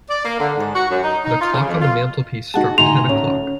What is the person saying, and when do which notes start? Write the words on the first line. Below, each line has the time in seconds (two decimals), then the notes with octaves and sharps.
The clock on the mantelpiece struck ten o’clock.
0.09 D5
0.25 A#3
0.39 D3
0.57 G#2
0.74 F#4
0.89 F#2
1.03 D#4
1.25 D#4
1.40 F4
1.53 C#3
1.67 F2
1.81 F4
2.54 D#4 F#4 G#4 F#5 A5
2.78 A2 D3 D#4 G#5 C6 F7
3.09 D2 C#4 C#5